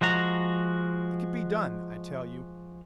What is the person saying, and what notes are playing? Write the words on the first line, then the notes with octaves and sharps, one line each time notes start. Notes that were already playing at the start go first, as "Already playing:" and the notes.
It could be done, I tell you.
F3 G#3 F#4 A#5